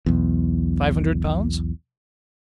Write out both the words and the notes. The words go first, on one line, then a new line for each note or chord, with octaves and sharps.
Five hundred pounds?'
B1 E2